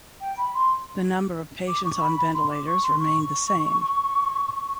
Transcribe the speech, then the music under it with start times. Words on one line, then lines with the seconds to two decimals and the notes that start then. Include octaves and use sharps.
The number of patients on ventilators remained the same.
0.20 G5
0.37 B5
0.53 C6
1.68 D6
1.84 C#6
2.01 B5
2.17 B5
2.33 C6
2.50 D6
2.66 C#6
2.83 C6
2.99 C#6
3.15 C#6